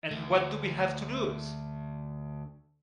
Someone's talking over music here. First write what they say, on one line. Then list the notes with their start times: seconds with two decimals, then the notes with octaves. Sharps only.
And what do we have to lose?
0.11 D2 A3